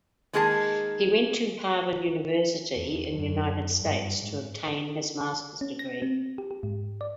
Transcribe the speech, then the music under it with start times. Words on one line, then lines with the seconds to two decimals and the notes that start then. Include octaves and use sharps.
He went to Harvard University in United States to obtain his master's degree.
0.33 D#3 G#3 A#3 G#4 A#4 A5
2.74 E2
3.12 F#2
3.78 G2
4.22 G#2
5.61 C#4
5.79 A#6
6.02 C4
6.38 G4
6.51 G4
6.63 G#2
7.01 D5